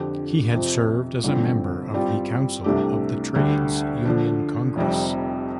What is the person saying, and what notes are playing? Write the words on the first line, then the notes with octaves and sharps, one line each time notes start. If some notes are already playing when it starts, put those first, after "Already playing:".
He had served as a member of the council of the Trades Union Congress.
Already playing: F2 D3 F3 D4 G4
F2 C3 F3
A1 G2 D3 F3 C4
G2 G3 C4 F4 D5
C2 C3 A3 D4 G4
D2 D3 G3 D4
D3 F3 D4
F1 F2 C3 G3